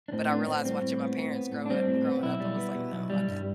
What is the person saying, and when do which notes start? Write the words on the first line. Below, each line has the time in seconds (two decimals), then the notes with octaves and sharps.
but I realized watching my parents grow, uh growing up, I was like, "No, my dad."
0.08 D4
0.13 A2 C4
0.30 B3 D4
0.47 A2 C4
0.65 G3 C4
0.82 A2
1.00 B3
1.17 A2
1.35 B3
1.52 A2
1.66 D4
1.70 G3 C4
1.87 A2
2.05 B3
2.22 B1 E4
2.40 G3
2.57 B3
2.75 B2
2.93 B1
3.10 G3
3.27 G2